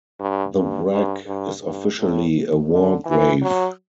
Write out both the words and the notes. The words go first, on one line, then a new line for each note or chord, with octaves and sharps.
The wreck is officially a war grave.
G2
G2
G2
G2
G2
A2
D3
E3
F#3